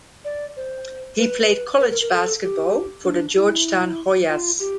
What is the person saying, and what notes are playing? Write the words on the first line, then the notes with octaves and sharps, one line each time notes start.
He played college basketball for the Georgetown Hoyas.
D5
C5
B4
B4
A#4
A#4
A4
G4
D4
E4
F4
G4